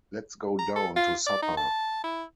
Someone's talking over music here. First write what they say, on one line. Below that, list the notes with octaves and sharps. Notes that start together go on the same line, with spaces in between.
Let’s go down to supper.
A#5
A4
F4
D5
D#4
A5
E4